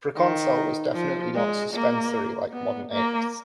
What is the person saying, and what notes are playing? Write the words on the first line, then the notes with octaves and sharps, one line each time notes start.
"Proconsul" was definitely not suspensory like modern apes.
D#3
F3
G#3
A#3
B3
A#3